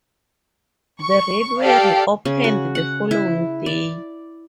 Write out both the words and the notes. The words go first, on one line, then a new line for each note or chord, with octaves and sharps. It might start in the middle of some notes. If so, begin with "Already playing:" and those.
The railway reopened the following day.
C#6
G4 A4 D5 F5
C#3
F#4
F#5
E4
D5